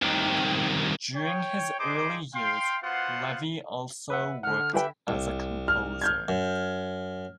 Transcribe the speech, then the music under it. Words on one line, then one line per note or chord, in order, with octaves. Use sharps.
During his early years, Levi also worked as a composer.
C2 D#3
C#5 G5
G3 D#4 G#4 C5 D6
F5 G5 C6
B3 F4 F#4 C5 F5 F#5
B4 E5 F#5
D3 F#5 F6
G4 B4 E5 G5
C2
F6
F6 G6 G#6
F#2